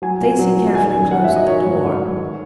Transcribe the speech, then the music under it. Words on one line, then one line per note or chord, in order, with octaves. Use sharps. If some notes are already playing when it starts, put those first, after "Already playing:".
Stacey carefully closed the door.
F#3 G#5
A#2
F#3
A#2
D#3 G#5
F#2
F#2 F#5
E5
F#3
D#5
D#3 C#5
G#2
G#2
F#3
D#3